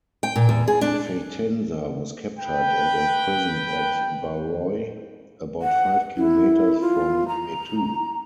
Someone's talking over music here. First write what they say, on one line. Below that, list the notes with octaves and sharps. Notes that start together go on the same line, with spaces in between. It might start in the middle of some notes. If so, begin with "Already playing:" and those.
Fatansa was captured and imprisoned at Barroi, about five kilometers from Metu.
G5
A#2
E2
G#4
D4
B4 G5
F#5
E4
F4
A#5